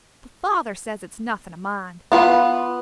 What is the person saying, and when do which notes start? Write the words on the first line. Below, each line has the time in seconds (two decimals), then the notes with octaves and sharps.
But father says it's nothing to mind.
2.12 B3 F4 B4